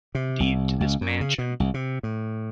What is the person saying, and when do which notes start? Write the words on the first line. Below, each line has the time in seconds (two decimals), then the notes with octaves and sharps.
deed to this mansion."
0.15 C3
0.40 C2
0.80 C#2
1.01 F#2
1.21 C#3
1.38 B2
1.60 C2
1.74 C3
2.03 A2